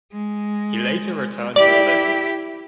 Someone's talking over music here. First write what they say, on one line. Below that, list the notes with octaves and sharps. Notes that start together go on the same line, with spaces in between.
He later returned to the Liberals.
G#3
E4 G4 D5